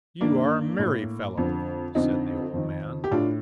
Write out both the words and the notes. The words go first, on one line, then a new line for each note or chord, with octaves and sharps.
"You are a merry fellow," said the old man.
G2 D#3 A#3 D4
A2
F2 D3
F2 D3 C4 D#4
F2 D#3
G4
A2 D4 F4